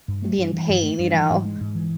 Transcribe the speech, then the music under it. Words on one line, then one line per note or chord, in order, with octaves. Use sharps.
be in pain, you know?
G2
A3
G2
E3
G2
A3
G2
E3
G#2
G#3
G#2
E3